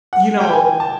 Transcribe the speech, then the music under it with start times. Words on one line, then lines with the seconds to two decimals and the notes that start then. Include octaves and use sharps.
you know,
0.13 F#5
0.40 G5
0.53 G#5
0.80 A5